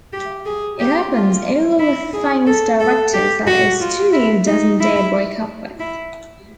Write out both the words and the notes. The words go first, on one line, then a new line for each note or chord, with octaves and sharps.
It happens only with famous directors that a studio doesn't dare break up with.
G4
G#4
G4
F4
E4
G#4
A4
A4
G4
F#4
F4
E4
D#4
E4
E4